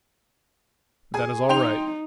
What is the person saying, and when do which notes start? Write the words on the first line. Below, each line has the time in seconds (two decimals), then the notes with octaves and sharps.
"That is all right."
1.14 G#4 G#5
1.49 D#4 G5 C6 F7